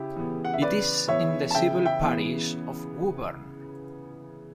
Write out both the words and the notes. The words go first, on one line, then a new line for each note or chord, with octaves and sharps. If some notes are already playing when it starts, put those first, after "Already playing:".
It is in the civil parish of Wooburn.
Already playing: C#3 E4 G4
E3 B3
F#5
E5
C#3 B4 D5
E3 B3 C#5 E5
A5
C#3 E5 G5
E5 G5
E3 B3